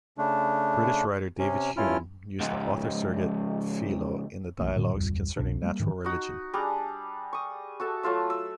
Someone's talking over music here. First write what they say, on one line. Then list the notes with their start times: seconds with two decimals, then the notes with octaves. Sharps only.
British writer David Hume used the author-surrogate 'Philo' in the "Dialogues Concerning Natural Religion".
0.18 C#3 A3 D4
1.39 C3 C#4
1.77 G2 C#4 E4 F4 F6
2.40 C#2 G#2
4.59 B1 E3 A3 A#3
4.76 A2 D3 F#3
4.94 D1 G#1 F2 G3
5.37 C2 B2 D4
5.62 G3 A#3
5.80 G#2 D#3 E3
6.05 D#4 F#4
6.54 G3 D4 G#4 A#5
7.33 C#6 D#6
7.80 F#4 A4 E5 A5
8.03 F#3 A3 F4 E5
8.30 E6